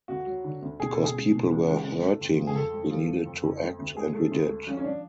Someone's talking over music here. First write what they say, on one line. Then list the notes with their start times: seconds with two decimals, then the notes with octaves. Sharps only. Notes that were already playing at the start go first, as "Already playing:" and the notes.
Because people were hurting. We needed to act, and we did.
0.08 D2 F#4
0.26 F#3
0.44 D3
0.62 D2
0.79 B2 G#4
0.92 B2 A4
1.05 G#4
1.14 C#2
1.32 B2
1.50 C#2
1.67 C#2
1.85 C#2
2.02 A3
2.21 F2
2.38 F3
2.47 G#4
2.55 F2 A4
2.73 A3
2.91 F3
3.08 A3
3.25 F2
3.44 F2
3.61 A3
3.79 D2
3.96 A3 G#4
4.14 A3
4.31 D2
4.49 A3
4.67 F3 C#4
4.77 C#4
4.84 F3 D4